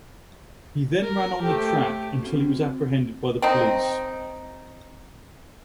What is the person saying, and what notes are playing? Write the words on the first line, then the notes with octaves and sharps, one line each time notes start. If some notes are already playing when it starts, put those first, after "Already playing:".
He then ran on the track until he was apprehended by the police.
A#4
A3 G4 A4 C5 G5
C4 F#4
C4 D#4